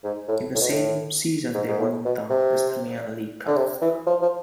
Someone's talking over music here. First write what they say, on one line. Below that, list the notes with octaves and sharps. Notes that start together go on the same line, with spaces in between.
In the same season they won the Isthmian League Cup.
G#2
A2
A2
B2
A2
G#2
G#2
A2
B2
C3
D3
C3
E3
F3
F3